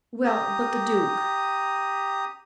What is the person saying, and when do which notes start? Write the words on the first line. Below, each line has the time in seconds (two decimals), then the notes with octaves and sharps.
"Well, but the duke?"
0.25 G4 A#5 D#6